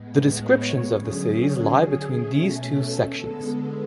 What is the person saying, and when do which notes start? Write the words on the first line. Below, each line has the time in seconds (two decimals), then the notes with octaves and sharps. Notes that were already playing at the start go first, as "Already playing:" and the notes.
The descriptions of the cities lie between these two sections.
Already playing: A2 G#3 B3
0.39 C#5
0.92 D3 F#3 C#4 G#4
1.47 G#4
2.01 B2 A3 C#4
2.55 A4
3.09 D3 G#3 B3 A4